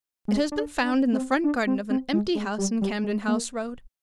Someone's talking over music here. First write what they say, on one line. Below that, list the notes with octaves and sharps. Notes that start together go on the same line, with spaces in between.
It has been found in the front garden of an empty house in Campden House Road.
G#3
D4
D4
C4
D4
C4
C4
G#3
G#3
G3
G3
G#3
A#3